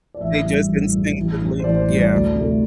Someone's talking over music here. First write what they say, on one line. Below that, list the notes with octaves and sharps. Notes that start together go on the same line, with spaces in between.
They just instinctively yeah,
D5
A1 E5
G2 G3
A1
G2 G3
A1
G2 G3
C5
A1 D5
C5
G2 G3
D5
D2
C3
A3